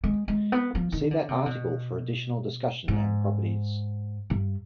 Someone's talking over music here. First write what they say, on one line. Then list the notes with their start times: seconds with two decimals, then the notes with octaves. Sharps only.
See that article for additional discussion and properties.
0.04 G#3
0.28 G#3
0.52 B3
0.75 F3
0.92 D#3
1.11 D3
1.29 C3
1.46 B2
2.88 G#2
4.30 G2